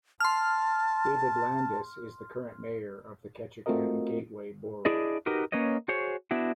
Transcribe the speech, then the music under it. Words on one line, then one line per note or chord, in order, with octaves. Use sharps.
Dave Landis is the current Mayor of the Ketchikan Gateway Borough.
A5 C6 F6
A3 C4 F4 F#4 A#4 D#5
D4 E4 G#4 D5 D#5
D#4 F#4 G4 A#4 B4
A#3 C#4 B4 C#5 D#5
F#4 G#4 C5 C#5
B3 D4 E4 F#4